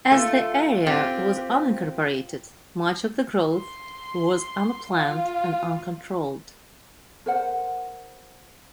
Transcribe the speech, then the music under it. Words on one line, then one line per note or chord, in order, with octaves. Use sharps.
As the area was unincorporated much of the growth was unplanned and uncontrolled.
A3 F4
C4 F4 G4
C6
F4
A#4 C5 F#5